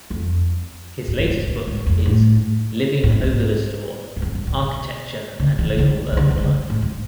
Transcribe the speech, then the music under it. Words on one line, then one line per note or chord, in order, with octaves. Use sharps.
His latest book is Living Over the Store: Architecture and Local Urban Life.
F2
G#2
A2
G#2
A2
G#2
F2
A2
A2
G#2
G#2
F2
G#2
A2
B2
D3
E3
D3
E3
D3
E3
D3
A2
G#2